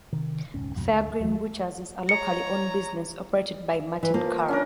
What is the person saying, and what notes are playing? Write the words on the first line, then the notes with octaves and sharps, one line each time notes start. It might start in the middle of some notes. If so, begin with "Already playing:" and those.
Fairgreen butchers is a locally owned business operated by Martin Carroll.
C3 D#3
E1 C#2 G#2 C#4
B1 F2 G#2 B2
D2
D#2 E3 F#3
C#5 A#5 C#7
E3
F3 A#3
C#4 D4 A#4